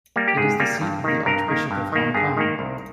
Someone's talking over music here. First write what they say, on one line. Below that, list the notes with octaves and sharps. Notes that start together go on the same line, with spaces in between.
It is the seat of the Archbishop of Hong Kong.
G3 A#3
G4
G#2 G#4
G3 A#3
G2
D#3 A#3
G2 A#4
D#3 A#3
G2
D#3 A#3
G2 G#4
D#3 A#3
C2